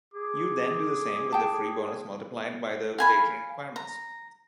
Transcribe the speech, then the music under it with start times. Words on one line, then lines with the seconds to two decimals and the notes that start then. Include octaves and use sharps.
You then do the same with the free bonus multiplied by the wagering requirements.
0.14 G#4 D6
1.32 G5 A5
2.98 F5 G#5 B5
3.76 A#5